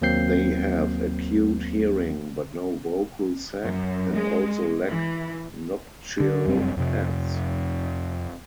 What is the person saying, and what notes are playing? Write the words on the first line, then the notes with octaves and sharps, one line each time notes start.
They have acute hearing, but no vocal sac, and also lack nuptial pads.
D#2 F#3 A#3 C4 G6 C7
F#2
G#3
E3
D3
F1 F#2 G3 C4
F2 C3